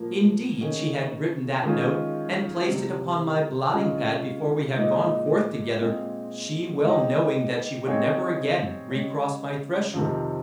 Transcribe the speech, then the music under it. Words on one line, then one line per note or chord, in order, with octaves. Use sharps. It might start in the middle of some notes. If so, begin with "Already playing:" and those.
Indeed, she had written that note and placed it upon my blotting-pad before we had gone forth together, she well knowing that she would never again re-cross my threshold.
Already playing: A#2 F3 A#3
D#3 A#3 C#4 G#4
D#3 G#3 C#4 F4 G#4
C3 G3 C4
C#3 G#3 C#4 F4
A#2 G#3 D#4
A#2 G#3 C4 F4 G#4
G#3 D#4 G4
G3 C4 D#4 G#4 C#5
C#3 G#3 C#4 G4 C#5
F2 C3 D#3